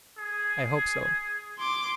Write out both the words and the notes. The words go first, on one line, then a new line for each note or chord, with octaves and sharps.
"I hope so."
G#4
C6 D6